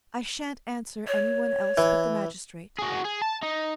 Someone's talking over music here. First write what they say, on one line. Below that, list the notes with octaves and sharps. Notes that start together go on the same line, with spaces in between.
I shan't answer any one else but the magistrate.
C#5
E3
F#4 G#4
G#4
A5
D#4